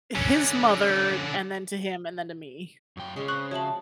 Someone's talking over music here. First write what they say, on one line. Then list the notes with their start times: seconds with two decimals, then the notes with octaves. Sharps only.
His mother, and then to him and then to me.
0.15 D3 C#4
2.97 F#2 G5
3.16 A#2 C#3 G#3
3.28 C4 D#5 C#6 F#6 F#7
3.51 F3 F#4 C#5 E5 A5 F#7